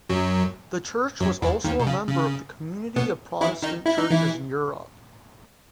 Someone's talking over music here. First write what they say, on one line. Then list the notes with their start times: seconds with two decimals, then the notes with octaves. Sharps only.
The church was also a member of the Community of Protestant Churches in Europe.
0.10 F#2 F#3
1.20 F#2 F#3
1.42 E2 E3
1.64 D#2 D#3
1.80 B2
1.87 C#3
2.08 C#3
2.96 B2 B3
3.41 E3 E4
3.62 D#3 D#4
3.86 E4
3.98 D#4
4.11 E3 E4